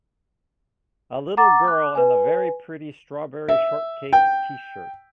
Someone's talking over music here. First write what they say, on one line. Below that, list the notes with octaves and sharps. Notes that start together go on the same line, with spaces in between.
A little girl in a very pretty strawberry shortcake tshirt.
F#5 A#5 D6 A6
D6 F#6
B4 G#5
E5
G5